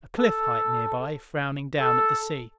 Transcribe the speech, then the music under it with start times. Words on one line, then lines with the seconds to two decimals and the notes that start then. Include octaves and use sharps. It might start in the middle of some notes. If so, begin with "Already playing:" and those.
A cliff height nearby, frowning down at the sea.
0.18 A4
1.80 A4